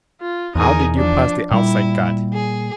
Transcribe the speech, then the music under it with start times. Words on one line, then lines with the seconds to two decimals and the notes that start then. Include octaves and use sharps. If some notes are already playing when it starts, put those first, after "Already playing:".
"How did you pass the outside guard?"
0.21 F4
0.55 E2 D#4 G#4 A#4
0.97 F3 D4
1.51 A#2 G3 E4
2.33 G#4